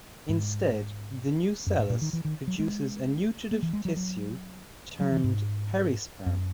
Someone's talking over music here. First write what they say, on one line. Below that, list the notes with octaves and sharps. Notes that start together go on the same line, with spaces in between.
Instead, the nucellus produces a nutritive tissue termed "perisperm".
G#2
F#2
G#2
A#2
D#3
E3
D#3
F#3
G#3
A#3
E3
G#3
F#3
F#3
F#3
E3
G#2
F#2